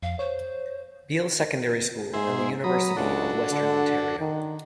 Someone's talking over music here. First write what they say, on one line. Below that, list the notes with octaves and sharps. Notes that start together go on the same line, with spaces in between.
Beal Secondary School and the University of Western Ontario.
F2 F5
C5 C#5
G#2 G#4 C5 E5
F#3 A#5 B5 D#6
C#2 D4 F#4 A4
D3
D#3